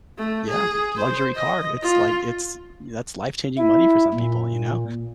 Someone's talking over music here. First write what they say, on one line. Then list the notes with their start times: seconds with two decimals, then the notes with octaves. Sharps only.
yeah, luxury car. It's like it's that's life-changing money for some people, you know?
0.18 A3
0.49 G#4
0.96 C5
1.34 D#5
1.82 F4
3.58 E4
4.14 A#2